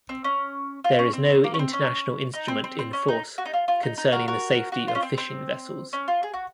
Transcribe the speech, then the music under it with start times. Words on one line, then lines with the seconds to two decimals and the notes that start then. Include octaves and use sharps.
There is no international instrument in force concerning the safety of fishing vessels.
0.09 C4
0.24 C#4
0.84 F4
0.99 C#4
1.13 C4
1.44 A#3
1.54 C#4
1.59 C4
1.73 C#4
2.34 D#4
2.48 C4
2.64 C4
2.79 C4
2.93 C#4
3.08 D#4
3.38 F#4
3.45 D#4
3.54 F4
3.68 F4
3.83 D#4
3.98 D#4
4.12 F#4 A#4
4.28 F#4 A#4
4.72 F#4
4.88 F4
4.95 C#4
5.03 C4
5.18 C4
5.93 C#4
6.08 F4
6.23 G#4
6.34 F#4